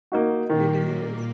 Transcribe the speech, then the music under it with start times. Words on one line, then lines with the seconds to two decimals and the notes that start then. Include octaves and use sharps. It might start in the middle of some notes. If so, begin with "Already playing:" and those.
It is.
0.12 A#3 D#4 F#4
0.49 A#2 D#3 A#3